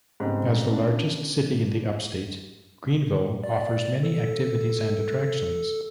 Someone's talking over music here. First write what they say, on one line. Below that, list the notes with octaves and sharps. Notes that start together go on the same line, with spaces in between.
As the largest city in the Upstate, Greenville offers many activities and attractions.
G#2 C#3 G3 A3 B3 C4
C#3 B3 D4
D5
A4